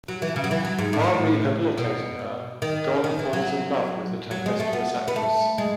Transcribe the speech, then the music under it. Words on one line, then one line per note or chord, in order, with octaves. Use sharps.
While rehabilitating her, Don falls in love with the tempestuous actress.
F#3
E3
C#3
F#3
E3
F#3
G#2
A2
B2
D#3
D#3
E3
F#3
F#3
G#3
A3
B3
B3
A3
G#3